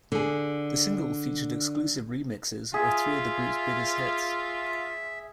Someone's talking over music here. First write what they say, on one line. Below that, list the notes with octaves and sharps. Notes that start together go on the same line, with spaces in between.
The single featured exclusive remixes of three of the group's biggest hits.
D3 G#4
F4 G#4 E5